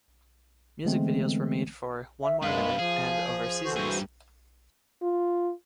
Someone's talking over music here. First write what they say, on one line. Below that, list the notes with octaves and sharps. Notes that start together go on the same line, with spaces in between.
Music videos were made for "One More Minute" and "Over Seasons".
D3 E3 G#3 A3 B3 C4
E5
F#2 G#3 D4 B4 F5
F3 G#4
E3 F#4 A4 C5
G2 G#4
F4